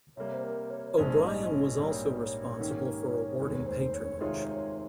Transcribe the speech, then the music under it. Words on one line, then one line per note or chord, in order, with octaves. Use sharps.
O'Brien was also responsible for awarding patronage.
C3 G3 A#3 C#5
C5
A#4
C#5
C#5
A#1 G#2 F3 G#3 C#4 C5
D#5
C#5
A#1 G#2 G3 A#3
G#2 D#3 A#3 C#4 G4
F1 D#2 D#3 G#3 C#5
C5
C#5
C3 D#3 G#3 C4 F4 C#5
C#5